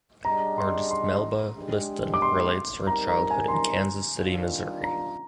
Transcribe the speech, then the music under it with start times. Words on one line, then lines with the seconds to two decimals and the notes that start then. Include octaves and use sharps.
Artist Melba Liston relates her childhood in Kansas City, Missouri.
0.25 G3 D4 G#4 D#5 A#5
0.58 C6
0.91 C6
1.56 G#3 D4 G4
2.14 D6
2.22 C6
2.87 G3 C4 D#4 A#4 A#5
3.09 A#5
3.31 G#5
3.48 C6
3.53 A#5
4.18 D#3 G3 D4 F4
4.84 A#5